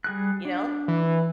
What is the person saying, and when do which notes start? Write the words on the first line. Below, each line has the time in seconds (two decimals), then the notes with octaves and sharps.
you know.
0.04 G3 G#4 F#6
0.45 D4
0.88 E3